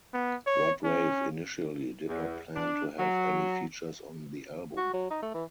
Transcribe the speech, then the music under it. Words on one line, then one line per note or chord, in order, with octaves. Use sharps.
Rod Wave initially did not plan to have any features on the album.
B3
C#5
C#4
E2
D4
F#3
F#4
F#3
D#4
A3
E3